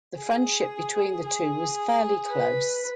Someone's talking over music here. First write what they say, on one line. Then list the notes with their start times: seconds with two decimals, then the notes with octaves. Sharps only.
The friendship between the two was fairly close.
0.17 G#4
1.24 G#4
2.29 B4